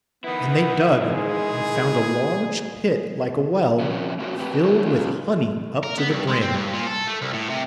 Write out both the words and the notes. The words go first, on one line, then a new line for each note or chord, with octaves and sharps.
And they dug, and found a large pit like a well, filled with honey up to the brim.
D#3 B3 E4 B4
G#3 G#4
C3 F3 C#4
A3 C#4 F4 F#4 A#4 C#5
C4 G4 B4
E4 F#4 A4 C5 C#5 E5
C#4 F4
A#4
B3
G2
G#3
C4
G2
A#2
A4
A3
C2
A2
C3